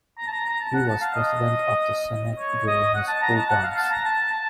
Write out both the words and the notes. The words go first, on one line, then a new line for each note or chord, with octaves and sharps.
He was president of the senate during his two terms.
A#5
A5
A#5
A#5
A5
F#5
A5
F5
D#5
C#5
D#5
F#5
A5
A#5
A5
F#5
F5
A5
A#5
A5
A5